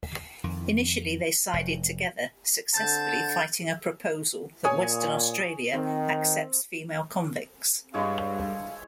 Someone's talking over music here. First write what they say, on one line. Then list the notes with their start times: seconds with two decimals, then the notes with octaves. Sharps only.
Initially they sided together, successfully fighting a proposal that Western Australia accept female convicts.
0.44 F2 D#3
1.53 F1
2.74 D3 C4 A5 G6 A6
4.64 A#2 C#5 G#5 D#6
5.73 D#3 C4
7.94 G2 G#3 E4 C#5 F5